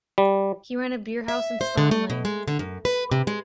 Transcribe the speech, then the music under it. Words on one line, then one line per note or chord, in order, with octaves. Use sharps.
He ran a beer house in Spon Lane.
G3
E5
C5
D3
A3
B2
G#3
D3
F#2
B4
C3
G#3